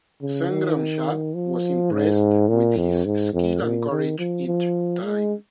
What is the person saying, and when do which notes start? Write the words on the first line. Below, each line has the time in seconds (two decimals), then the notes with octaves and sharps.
Sangram Shah was impressed with his skill and courage each time.
0.22 C#3
0.50 D#3
1.35 F3
1.91 G#2
2.49 A#2
2.77 F2
3.05 G#2
3.33 F2
3.61 A#2
3.91 D#3
4.19 F3
4.47 F3
5.04 G#3